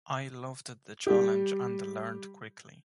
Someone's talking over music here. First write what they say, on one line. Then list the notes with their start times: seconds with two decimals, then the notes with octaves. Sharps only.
I loved the challenge and learned quickly.
1.07 G3 G4